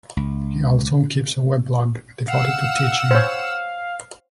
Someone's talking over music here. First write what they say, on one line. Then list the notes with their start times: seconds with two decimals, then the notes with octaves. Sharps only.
He also keeps a weblog devoted to teaching.
0.17 C#2
2.28 F5 F#5 E6
3.11 C5 C#5